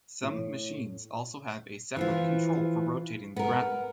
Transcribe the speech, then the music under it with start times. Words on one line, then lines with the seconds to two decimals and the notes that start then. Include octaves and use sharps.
Some machines also have a separate control for rotating the grapple.
0.23 A2
1.96 E3 F3 F4
3.36 B3 A#4